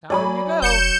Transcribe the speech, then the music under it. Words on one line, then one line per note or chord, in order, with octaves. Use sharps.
'Down you go!
F#3 C#5 D5 G#5 B5
F1 G6 C#7 E7